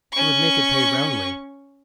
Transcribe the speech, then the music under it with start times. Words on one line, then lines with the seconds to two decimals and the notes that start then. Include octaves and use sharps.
He would make it pay roundly.
0.13 C#4 C#6